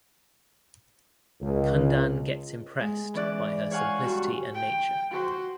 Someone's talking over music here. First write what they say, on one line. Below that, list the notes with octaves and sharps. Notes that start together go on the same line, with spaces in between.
Kundan gets impressed by her simplicity and nature.
C#2
G#3
E3 C#4 D5 F#6
C#5 F5 F#5 G#5 C#6
G2 F#4
G5
F#4 C5